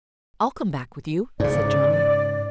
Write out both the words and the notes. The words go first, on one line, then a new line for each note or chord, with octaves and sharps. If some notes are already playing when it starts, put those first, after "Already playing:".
"I'll come back with you," said Johnny.
G#2 C#3 D5